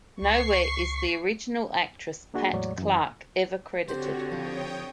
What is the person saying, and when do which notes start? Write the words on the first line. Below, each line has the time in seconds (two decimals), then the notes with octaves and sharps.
Nowhere is the original actress, Pat Clark, ever credited.
0.22 C#2 C#6 C7
2.34 A#3 D4 F#4 G#4
2.53 E2 A2 F#3 G#3 C#5 D5
2.78 F#2 E3
3.88 D3 C4 F#4 G4 C5 C#5
4.32 F2 C#5 G5 D#6